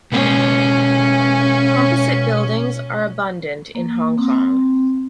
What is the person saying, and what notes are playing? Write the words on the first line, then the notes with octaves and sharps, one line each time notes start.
Composite buildings are abundant in Hong Kong.
B2 G#3 C#4 C5
A#3
C4